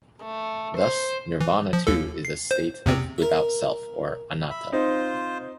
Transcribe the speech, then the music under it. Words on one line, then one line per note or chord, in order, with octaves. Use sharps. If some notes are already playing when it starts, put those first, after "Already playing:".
Thus, "nirvana" too is a state of "without Self" or anatta.
A3
C5
E3
F3
D#2 A4
C7
C5
E2 C3 C4
A#4 E5
E5 B5
C4 D#4 F4 C5